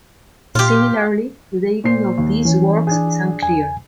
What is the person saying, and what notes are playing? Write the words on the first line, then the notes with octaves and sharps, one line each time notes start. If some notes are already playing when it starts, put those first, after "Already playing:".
Similarly, the dating of these works is unclear.
A#2 F4 G4
A#2 C5 C7
D#2
E3 C#4
D4 G#4
E2 G#5